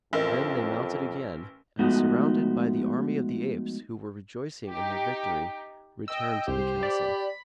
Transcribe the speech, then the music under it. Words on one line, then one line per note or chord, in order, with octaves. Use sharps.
Then they mounted again and, surrounded by the army of the apes who were rejoicing in their victory, returned to the castle.
A1 F2 A#4 D#5
F3 G#3 A3 B3 D#4 F#4
D#4 G4
D#5 G5 E6
C2 G4 C5
D5 B5